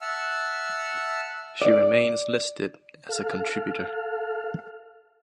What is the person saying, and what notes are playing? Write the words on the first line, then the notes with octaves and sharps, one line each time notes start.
She remains listed as a contributor.
E5 F#5 A5 E6 F6
D5
A4 F5